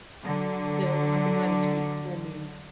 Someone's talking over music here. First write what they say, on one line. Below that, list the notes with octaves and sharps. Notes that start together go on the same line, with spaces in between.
Still I could neither speak nor move.
D3 F#3